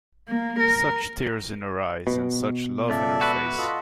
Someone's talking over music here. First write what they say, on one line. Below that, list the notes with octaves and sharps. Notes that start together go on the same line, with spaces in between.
Such tears in her eyes, and such love in her face.
A#3
A#4
B2
C#2 A4 D5 E5
F#4 B4
F4 A4 D#5